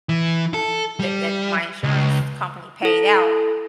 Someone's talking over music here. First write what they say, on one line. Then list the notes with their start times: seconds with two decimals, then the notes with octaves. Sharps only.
that that my insurance company paid out.
0.09 E3
0.54 A4
0.99 G3
1.84 C#2
2.83 E4 A4